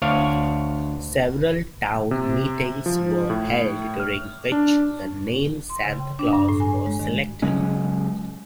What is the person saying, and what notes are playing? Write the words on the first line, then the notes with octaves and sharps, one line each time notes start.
Several town meetings were held, during which the name "Santa Claus" was selected.
D2 D4 C#5 F5
C3
F3
A2
F6
D4
C6
C#3
G5
D4
G2
A2
G#5
C#5
G#3
D#3
C#3 F#3 G#3 C#4